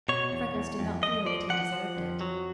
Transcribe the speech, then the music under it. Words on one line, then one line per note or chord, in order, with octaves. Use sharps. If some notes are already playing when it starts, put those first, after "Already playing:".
Freckles did not feel that he deserved it.
B2 C#5
E2
E2
F2
F2 D#5
F3 D5
F3 F#5
F3
F2
F#3